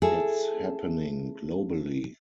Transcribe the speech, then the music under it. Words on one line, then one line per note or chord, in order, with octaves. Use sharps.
It's happening globally.
E4 G#4 A4